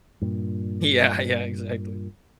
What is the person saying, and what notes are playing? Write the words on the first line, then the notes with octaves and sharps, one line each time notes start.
Yeah, yeah, exactly.
G2 A#2